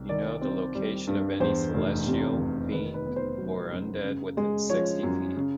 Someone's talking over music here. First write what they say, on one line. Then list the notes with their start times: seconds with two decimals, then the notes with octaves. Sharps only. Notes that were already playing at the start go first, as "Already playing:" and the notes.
You know the location of any celestial, fiend, or undead within sixty feet.
Already playing: C2
0.09 D#3 D5
0.41 C4
0.75 G3
1.07 G2
1.40 E2 C5
1.74 F1
2.07 C3
2.39 F1
2.72 D#3 B4
2.94 B4
3.06 B3
3.16 C5
3.38 F#3
3.71 F#2
4.05 C#3
4.37 G#3
4.70 F3 C#5
5.03 F#2
5.36 C#3